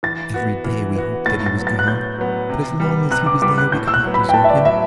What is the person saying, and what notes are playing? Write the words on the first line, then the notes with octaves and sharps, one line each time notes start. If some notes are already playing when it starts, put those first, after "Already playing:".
Every day we hoped that he was gone, but as long as he was there we could not desert him.
E3 A6
B3 F#4
E3
B3 F#4
A2 A6
A6
F#3 B3
A6
F#6
A2 G6
F#3 B3
C3
G3 B3
C3 F#6
D6
G3 B3 D6
F#6
A2 G6
E6
F#6
F#3 B3
B5
G5
A2 A5
E5
D5
F#3 B3 E5